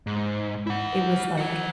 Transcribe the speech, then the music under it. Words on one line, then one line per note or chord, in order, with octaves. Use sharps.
it was, like
G#2
E4 F#5
F3 F#5